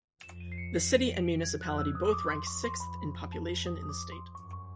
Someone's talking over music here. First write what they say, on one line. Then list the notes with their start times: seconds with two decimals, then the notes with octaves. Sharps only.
The city and municipality both rank sixth in population in the state.
0.23 F2 E7
0.40 D#7
0.52 C7
0.58 C#7
0.75 C7
0.92 D#7
1.09 D7
1.26 D7
1.43 G#6
1.60 F2 F#6
1.78 E6
1.95 F2 D#6
2.05 D#6
2.12 D6
2.29 F2 C6
2.47 C#6
2.64 C6
2.80 B5
3.32 A5
3.66 D#6
3.83 D#6
3.89 D6
4.12 C6
4.35 F#2 C#6
4.53 C#6